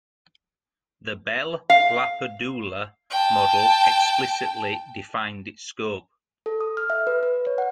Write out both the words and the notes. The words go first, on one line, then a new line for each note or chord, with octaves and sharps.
The Bell-LaPadula model explicitly defined its scope.
F5
G5 A5
A4
D#6
F6
E5
B4
B4
C#5
F#5